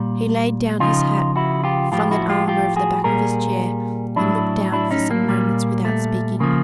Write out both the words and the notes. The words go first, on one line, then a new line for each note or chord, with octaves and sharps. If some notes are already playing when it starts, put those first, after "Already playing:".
He laid down his hat, flung an arm over the back of his chair, and looked down for some moments without speaking.
Already playing: A#2 G3
C#3 F3 D#4 F4
E4 F#4
F4 G4
A2 F3 F4 G4
E4 F#4
F4 G4
F4 G4
F#4 G#4
A#2 G3 G#4 A#4
A2 F#3 D4 E4
D4 E4
C#4 D#4
A#3
A#2 G3
A3
C#3 F3 A#3